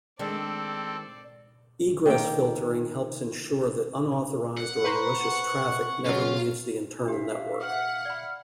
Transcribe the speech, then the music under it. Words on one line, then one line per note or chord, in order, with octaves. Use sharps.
Egress filtering helps ensure that unauthorized or malicious traffic never leaves the internal network.
D#3 G#3 C4 D4 A4 D5
D#3 A#3 G5
F#5
B4 C5 A#5 C#6
C#3 F#3 F4
D4 G4 E5 F5
F#5 F6
D5 B5